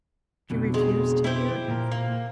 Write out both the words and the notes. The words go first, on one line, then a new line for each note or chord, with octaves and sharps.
She refused to hear him.
F2 B2 D3
G#3
E4 G4 C5
A#2 A#4
A#3